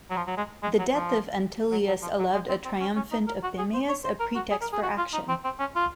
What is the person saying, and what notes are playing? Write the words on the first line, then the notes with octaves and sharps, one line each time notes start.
The death of Antyllius allowed a triumphant Opimius a pretext for action.
F#3
F3
F#3
G#3
G#3
F#3
F3
F#3
F#3
F3
F#3
G#3
C4
C4
C#4
C#4
D#4
A#4
F#4
G#4
C5
C#5
C5
A#4
F#4
G#4
A#4
G#4
F#4
F4
D#4
C4
C4
C#4
F4